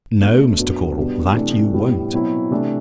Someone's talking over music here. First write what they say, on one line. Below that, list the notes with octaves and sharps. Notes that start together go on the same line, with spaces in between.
No, Mr. Caudle, that you won't.
B2 A3 D4
F#2 F#3 B3 D4
B2 G3 B3 D4
C3 E3 A3 D4
A2 G3 B3 E4
B2 F#3 C4 E4
C3 E3 A3 D4